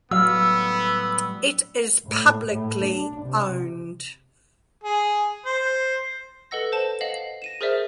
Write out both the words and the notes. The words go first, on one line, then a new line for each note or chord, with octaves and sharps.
It is publicly owned.
A2 F#3 G3 B3 F5 E6
A2
A2
D4
C3
G#4
C5
A4 B4 D#5 F#5 E6 A#6
C5 A5 E7
D#5 F5 F#5 F#7
A#6 D#7 E7
G#4 A#4 C5 D5 E5